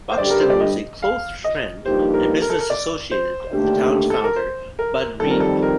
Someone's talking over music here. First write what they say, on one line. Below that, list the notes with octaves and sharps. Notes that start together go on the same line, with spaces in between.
Buxton was a close friend and business associated of the town's founder, Budd Reeve.
C5
G2 D3 G3 D4 G4 D5
A#4
C5
D5
D#5
F5
D#5
G2 F3 A#3 D#4 G4 C5
A#4
A#4
A4
A#4
D5
C5
D#2 D3 A3 D4 G4
A4
A#4
C5
A#4
F2 D#3 G3 A4
A#4
A4
A#4